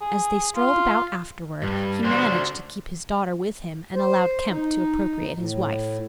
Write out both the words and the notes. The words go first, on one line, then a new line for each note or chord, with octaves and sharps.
As they strolled about afterward, he managed to keep his daughter with him and allowed Kemp to appropriate his wife.
G#4
F4
G2
D4 F#4 C5
C5
D#4
A2